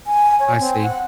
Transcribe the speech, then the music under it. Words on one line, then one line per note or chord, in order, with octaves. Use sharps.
I see.
G#5
C#5
C4
F#5